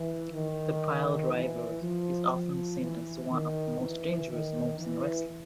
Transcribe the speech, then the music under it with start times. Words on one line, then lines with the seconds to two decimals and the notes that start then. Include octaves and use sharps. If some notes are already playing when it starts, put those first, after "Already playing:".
The piledriver is often seen as one of the most dangerous moves in wrestling.
Already playing: E3
0.32 D#3
1.32 E3
1.82 F3
2.32 F3
2.80 E3
3.30 D#3
3.79 E3
4.30 D#3
4.78 E3